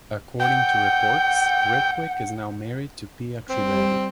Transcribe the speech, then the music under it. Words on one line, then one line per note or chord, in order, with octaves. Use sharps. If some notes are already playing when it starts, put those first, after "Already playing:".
According to reports, Ritwik is now married to Pia Trivedi.
F#5 G5
G3 C4